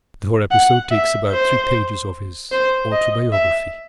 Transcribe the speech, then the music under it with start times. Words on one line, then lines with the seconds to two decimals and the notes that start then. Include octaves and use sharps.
The whole episode takes about three pages of his autobiography.
0.51 F#5
0.91 E5
1.31 C5
2.52 C5
2.92 D#5
3.32 E5